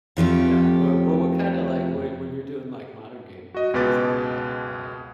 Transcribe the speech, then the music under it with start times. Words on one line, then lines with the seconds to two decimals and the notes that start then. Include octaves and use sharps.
Yeah, but but what kinda like when when you're doing, like, modern gaming, what kind of stuff do you like to play in
0.17 F2 F3 A3 G4
3.54 F#4 D#5
3.73 C#2 B2 G#3 B4 D6 A6